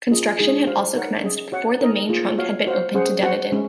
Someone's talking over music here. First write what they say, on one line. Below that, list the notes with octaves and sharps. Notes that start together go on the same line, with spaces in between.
Construction had also commenced before the Main Trunk had been opened to Dunedin.
C#4 F4 G#4 D#5
G#3 D#4 G#4
F#4 C5 F5
D#4 A#4 C#5 F#5
C#4 G#4 D#5
F#4 C#5 F#5
D#4 A#4 D#5
A#3 F4 G#4
F#4 C#5 F5
F#4 C5 F5
C#4 G#4 C5 F#5
F#4 C5 F#5
G#3 C#4